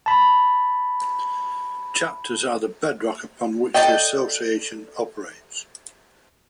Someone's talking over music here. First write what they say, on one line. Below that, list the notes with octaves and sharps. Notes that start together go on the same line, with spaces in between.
Chapters are the bedrock upon which the association operates.
A5 B5
A4 A#4 D5 D#5 G5